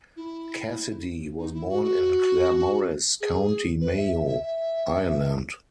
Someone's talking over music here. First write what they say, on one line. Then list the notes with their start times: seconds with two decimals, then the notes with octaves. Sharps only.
Cassidy was born in Claremorris, County Mayo, Ireland.
0.16 E4
1.38 D#4
1.53 E4
1.69 F#4
1.83 F#4
3.21 G#4
3.81 B4
3.97 E5
4.12 E5
4.26 E5
4.42 E5